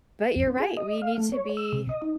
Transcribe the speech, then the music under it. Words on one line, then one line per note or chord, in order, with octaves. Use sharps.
But you're right. We need to be,
F2
C4
G#4
D#5
F5
A3
C#5
E6
C3
D#5
D#4